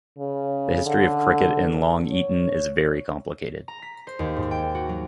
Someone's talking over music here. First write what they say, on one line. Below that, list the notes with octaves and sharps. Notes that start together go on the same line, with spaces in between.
The history of cricket in Long Eaton is very complicated.
C#3
D3
C#5
A#5
B6
C5
D#2
G#2
G5
F#4
F#3